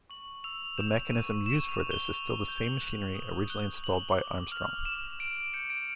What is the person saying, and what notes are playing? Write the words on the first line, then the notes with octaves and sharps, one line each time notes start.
The mechanism used for this is still the same machinery originally installed by Armstrong.
C#6 F#7
E6 F7
G6 E7
C#6 D#7
C#6 E7
F7
C#6
G7
C#6 F7
G6 F7
F#7
F#6
D#6
F#6 G7
F#6 F#7
D6 F#7
F6 F7
D6 E7
F6 D7
G6 C#7
D7